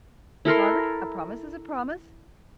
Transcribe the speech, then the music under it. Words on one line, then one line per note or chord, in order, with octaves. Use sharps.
Margaret, a promise is a promise.
E4 A4 A#4 C6